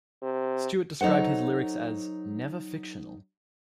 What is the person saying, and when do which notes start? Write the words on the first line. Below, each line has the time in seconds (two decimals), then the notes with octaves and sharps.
Stewart described his lyrics as "never fictional".
0.23 C3
1.01 F#3 D#4 A4 C5 F#5